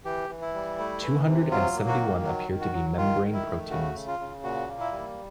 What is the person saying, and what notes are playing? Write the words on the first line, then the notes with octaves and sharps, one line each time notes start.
Two-hundred and seventy one appear to be membrane proteins.
E3 G4
E3
E4
G3
A3
E3
C3
F#3 F4
A#3
F#4
D#3
F#3
D#3
F#4
F#3
D#3 F4
D#3
E4
A3
C#3 F#4
C#3
F4
C#3
A#2 F#4
A#3
E4
G3